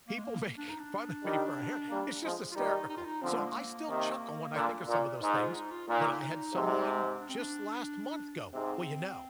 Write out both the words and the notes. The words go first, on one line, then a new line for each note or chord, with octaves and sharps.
people make fun of me for a hair it's just hysterical. So, I still chuckle when I think of some of those things, but I had someone just last month go, "Well, you know,
A#3
G#3
A#3
D4
D#4
D4
D#3 G3
G3 A#3
F3 G#3
F4
D#3 G3 D#4
D#4
F4
D#4
D3 F3 C4
A#3
G#3
A#3
C3 D#3
A#2 D3
A#2
G#2
F4
D#4
F4
A#2 D#4
G#2 C3
D4
C4
D4
G#2 C3 C4